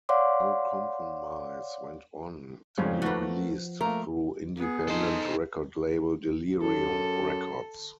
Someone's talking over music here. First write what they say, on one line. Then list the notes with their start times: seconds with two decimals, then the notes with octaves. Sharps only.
"No Compromize" went on to be released through independent record label Delerium Records.
0.09 C#5 D5 F5 F#5 C6 D6
2.78 F2 G#2 C#3 F3 G3
3.02 A3 A#3 F#4 B4 F#5
3.81 A3 A#3 A#4
4.57 B3 G#4
4.88 D#4 A4 C5
6.62 F#2 A4